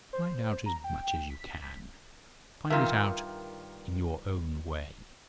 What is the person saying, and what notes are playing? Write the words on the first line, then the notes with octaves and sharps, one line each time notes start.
"Find out as much as you can; find it out in your own way."
C5
A#5
G5
B6
G2 D#3 F4 A#4 E5